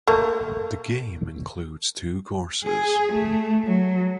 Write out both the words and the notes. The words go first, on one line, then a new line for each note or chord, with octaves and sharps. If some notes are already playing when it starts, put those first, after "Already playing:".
The game includes two courses.
A3 A#3
G#4
A3
F#3